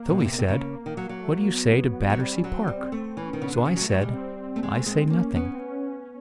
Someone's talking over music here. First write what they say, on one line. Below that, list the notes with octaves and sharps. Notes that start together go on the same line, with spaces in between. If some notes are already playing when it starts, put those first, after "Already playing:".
So he said, 'What do you say to Battersea Park?' So I said, 'I say nothing.
Already playing: A#3
B2
B2
C3
C3
C#3
D#3
F#3
F#3
A3
A#3
B3
B3
F#3
G3 C4
C#4
F#3
C4
G3
A3
E3 C#4
D#3
C#3 B3
D3
C#3
F#3
A3
F#3
G3 G#3
C4
A3
G#3
A3
G#3
A#3 C#4
B3 C#4
C4
C#4